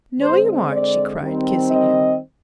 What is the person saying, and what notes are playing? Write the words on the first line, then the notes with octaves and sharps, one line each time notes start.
"No, you aren't," she cried, kissing him.
D3 G#3 C4 C5
D5
D#3 G3 C4
D#5